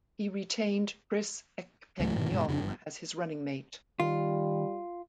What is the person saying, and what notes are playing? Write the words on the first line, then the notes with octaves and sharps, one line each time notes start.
He retained Chris Ekpenyong as his running mate.
C#2 G#2 F#3 A3
G#2 B2 D#3
G2 B2 G#3
F2 C#3 D4
G1 G2
D#3 G3 F4